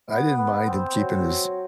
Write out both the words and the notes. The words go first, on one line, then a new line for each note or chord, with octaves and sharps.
I didn't mind him keeping his
B3
B3
C4
F#3